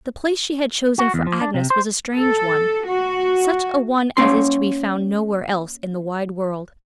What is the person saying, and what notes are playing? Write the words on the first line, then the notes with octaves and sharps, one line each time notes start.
The place she had chosen for Agnes was a strange one--such a one as is to be found nowhere else in the wide world.
F#4
E2
F3
D4
C3
C5
A4
F#4
A#3 C#4 C6